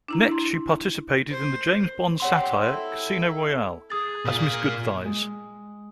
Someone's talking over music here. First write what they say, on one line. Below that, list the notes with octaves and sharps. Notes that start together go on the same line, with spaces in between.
Next, she participated in the James Bond satire, "Casino Royale", as Miss Goodthighs.
D4 E4 A#5
E4 C6
C5
C4 G4 C#5 F#5 C6
E4 A4
G#4 D#6 A6
A#2 F4
G#3